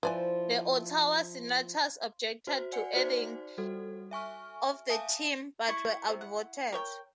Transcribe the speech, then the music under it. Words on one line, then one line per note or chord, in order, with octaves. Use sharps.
The Ottawa Senators objected to the adding of the team, but were outvoted.
F3 E4 B4 C5 D5 F5 G#5
F#4 C5
D5 F#5 G#5 C#7
D#4 F#4 C5 D5
G3 F#4 A4
E5 G#5 C#6 F6
E5 F5 G#5 A5 D#6
E4 C#6
C3
F#5
A#4 C#5 G5